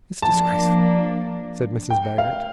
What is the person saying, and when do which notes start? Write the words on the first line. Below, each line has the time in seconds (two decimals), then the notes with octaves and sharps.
"It's disgraceful," said Mrs. Baggert.
0.22 F3 A#3 D4 A5
1.90 G5
2.18 F5